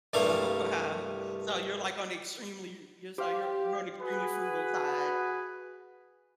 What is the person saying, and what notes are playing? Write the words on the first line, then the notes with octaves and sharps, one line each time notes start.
Oh, wow. So, you're, like, on the extremely you so, you're you're on the extremely frugal side.
C2 G2 G3 A3 A#3 F5
G4 C5 F5
F#4 G#4 B4